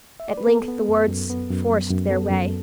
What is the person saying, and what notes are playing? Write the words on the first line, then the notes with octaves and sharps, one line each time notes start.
At length the words forced their way.
E5
D5
B4
B3 A4
B3
F#2
F#2
B3
F#2
F#3
F#2
B3 A4
F#2